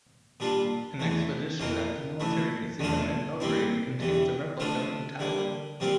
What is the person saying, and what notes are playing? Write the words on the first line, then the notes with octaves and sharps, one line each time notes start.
An exhibition at the Military Museum in Belgrade contains a replica of the tower.
A#2 G3 D4 F4
E2 E3 A3
F2 E3 A#3 F4
E3 A3 E4
E2 D3 A3 D4 F4
A#2 G3 C4 E4
E2 E3 G3
D3 F3 A3 D4 F4
D3 G3 A#3
A#2 G3 C4 F4